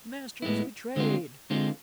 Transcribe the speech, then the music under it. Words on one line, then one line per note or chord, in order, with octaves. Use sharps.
"The Master is betrayed!"
A2 G#3 B3 E4
D3 G#3 C4 F4
D3 G#3 C4 F4